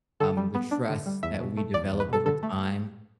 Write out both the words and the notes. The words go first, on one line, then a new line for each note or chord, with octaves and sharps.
um, the trust that we develop over time,
D3 A4
G3
B3
D4
D3
G3
E2 E5
B2
A3
E2 D5
E2
B4
B2 A4
D3 A4
A3